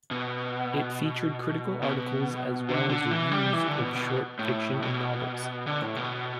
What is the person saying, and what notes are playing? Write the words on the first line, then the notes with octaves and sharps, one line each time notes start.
It featured critical articles as well as reviews of short fiction and novels.
B2
B2
D3
D3
E3
G3
E3
D3
B2
B2
A2
B2
D3
A2
B2